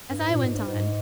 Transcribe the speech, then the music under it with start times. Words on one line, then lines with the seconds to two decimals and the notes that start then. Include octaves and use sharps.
As I went on!
0.11 G2
0.20 G#2
0.30 A#2
0.43 G#2
0.55 G2
0.68 G#2